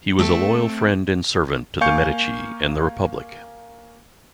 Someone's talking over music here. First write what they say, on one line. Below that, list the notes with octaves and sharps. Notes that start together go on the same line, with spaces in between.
He was a loyal friend and servant to the Medici and the republic.
A3 C4 A4
A#3 F5 G#5 C#6 G6 C#7